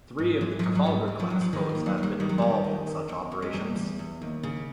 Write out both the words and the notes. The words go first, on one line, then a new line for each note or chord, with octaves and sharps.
Three of the "Trafalgar"-class boats have been involved in such operations.
G#2
E3 F3
F3
G#2 F#3
F#3
G#2 G3
E3
F3
G#2 F#3
F3
D#3 E3
F3
D#2
F#3
D#3
G3
D#3 G3
F#3
D#3 G3
D#3
E2
E2
E2
G#3
E2 G3
E2
E2
D#2
C#3